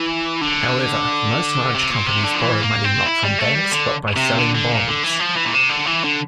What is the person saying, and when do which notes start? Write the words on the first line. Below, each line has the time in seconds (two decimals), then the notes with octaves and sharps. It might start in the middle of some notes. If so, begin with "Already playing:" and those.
However most large companies borrow money not from banks, but by selling bonds.
Already playing: E3
0.41 D3
1.74 C3
1.91 A#2
2.07 C3
2.24 D3
2.35 F3
2.40 E3
2.61 A#3
2.84 C4
3.06 E4
3.23 G3
3.39 A3
3.55 G3
3.72 D3
4.16 C3
4.38 D3
4.55 D3
4.71 A#2
4.88 D3
5.04 E3
5.20 F3
5.37 E3
5.46 A#2
5.54 C3
5.70 D3
5.87 E3
6.04 D3